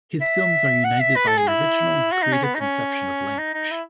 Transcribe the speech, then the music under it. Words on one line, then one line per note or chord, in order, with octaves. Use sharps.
His films are united by an original and creative conception of language.
E5
F#5
E5
B4
A4
G#4
E4
F#4
D#4
C#4
B3
D#4
C#4
D#4
D#4
E4